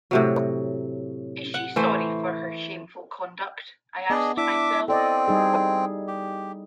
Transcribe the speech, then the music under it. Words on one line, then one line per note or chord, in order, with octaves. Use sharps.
Is she sorry for her shameful conduct? — I asked myself.
A2 C3 F#3
F#5
E3 A3 C5
B3 D4 G#4 D#5
D4 E4 E5 D6
C4 A4 D5 D#5
G3 D#4 G#4
G4